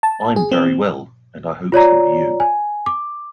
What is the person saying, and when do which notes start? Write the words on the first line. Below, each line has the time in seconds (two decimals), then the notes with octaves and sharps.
I’m very well, and I hope so are you.
0.03 A5
0.36 G#4
0.52 C4
1.72 F4 C#5 D5 A#5
2.40 G#5
2.86 D6